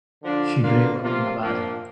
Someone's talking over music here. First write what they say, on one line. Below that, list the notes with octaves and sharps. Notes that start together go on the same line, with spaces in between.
She grew up in Ibadan.
D3 F3 D4 F4
D3 A#3 D4 F4
C3 F3 A#3 F4
A#2 F3 A#3 D4 F4